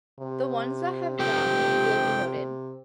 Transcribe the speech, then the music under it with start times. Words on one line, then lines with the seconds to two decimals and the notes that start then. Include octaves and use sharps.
The ones that have them will be noted.
0.20 C3
1.19 F4 G4 A4 G5